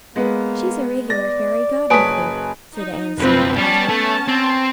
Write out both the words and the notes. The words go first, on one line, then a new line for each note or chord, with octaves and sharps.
"She's a regular fairy godmother," said Anne softly.
G#3 A#3 B3 B4
D5 A6 A#6
F#1 B4 C#5 G#5 A5 D#6 B6 D7
D#4
B1 F2 F3 C4 B4
G3 B3 C#4 A5
A3
C4